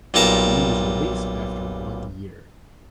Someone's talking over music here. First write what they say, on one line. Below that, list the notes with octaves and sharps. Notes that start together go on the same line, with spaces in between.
He was released after one year.
B1 A#2 G3 A5 A#5